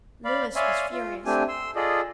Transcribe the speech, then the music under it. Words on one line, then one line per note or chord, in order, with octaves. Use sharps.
Louis was furious.
D5 F5 B5
C#5 D5 E5 F5 G#5 C6
F4
A3 C4 D4 G4 G#5
C6 E6
F4 G#4 A4 D5 D#5